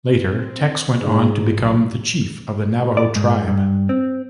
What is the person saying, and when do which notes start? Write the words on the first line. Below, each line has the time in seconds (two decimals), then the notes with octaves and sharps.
Later, Tex himself went on to become the Chief of the Navajo tribe.
0.22 C4
0.98 G#2
1.57 B1
2.97 D5
3.16 G#2
3.47 G2
3.89 C4